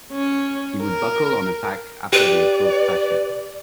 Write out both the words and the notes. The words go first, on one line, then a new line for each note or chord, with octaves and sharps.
He would buckle on a pack after the approved fashion.
C#4
A#4
G4 B4 D5